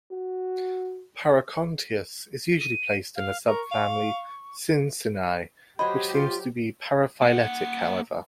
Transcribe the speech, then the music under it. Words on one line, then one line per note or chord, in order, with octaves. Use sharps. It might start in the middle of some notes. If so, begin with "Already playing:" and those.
"Paracontias" is usually placed in the subfamily Scincinae, which seems to be paraphyletic however.
F#4
D#7
F5
A#4 C#6
F5
F#3 G4 C5 D#5 B5
F4
A#3 F#5